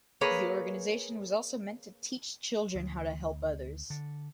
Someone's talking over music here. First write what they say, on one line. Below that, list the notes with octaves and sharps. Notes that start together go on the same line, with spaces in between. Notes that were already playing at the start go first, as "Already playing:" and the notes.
The organization was also meant to teach children how to help others.
A#3 G#4 B4 C#5
D2
D3